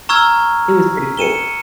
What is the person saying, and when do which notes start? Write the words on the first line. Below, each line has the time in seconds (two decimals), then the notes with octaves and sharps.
it was pretty cool.
0.09 A#5 C#6 E6 F6 G#6
1.17 C#7 D#7 E7 G7